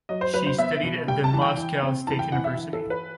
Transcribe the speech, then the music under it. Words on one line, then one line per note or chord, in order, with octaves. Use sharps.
She studied at the of Moscow State University.
F#3 D#5
C5
F#3 B4
C5
B3 E5
B2
G3 G5
A5
E3
G5
E3
C4
E3 A5
G5
E3 F#5
E5
E3
A4
E3
B4